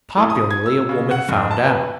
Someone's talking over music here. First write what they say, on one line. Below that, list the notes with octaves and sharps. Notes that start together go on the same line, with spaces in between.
Popularly, a woman found out.
A2
D#6
G#6
E6
C#3
F#5
F1
A5
B4